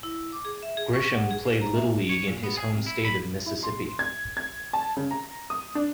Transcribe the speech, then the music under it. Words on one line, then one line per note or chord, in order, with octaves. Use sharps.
Grisham played Little League in his home state of Mississippi.
E4
D6
G#4
E5
G#4
C#6
F#5
G#4
C5
A#5
E5
C#5
A#2
B3
G#4
C2
E4
B5
E4
C6
G#6
G#6
A5
C#3
A#5
D#6
D4